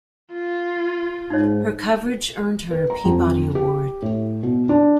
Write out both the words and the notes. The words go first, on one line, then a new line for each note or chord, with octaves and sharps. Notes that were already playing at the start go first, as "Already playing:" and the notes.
Her coverage earned her a Peabody Award.
F4
G#2 D#4 C#5
B4
A#5
F2
G4
A2
B2
D4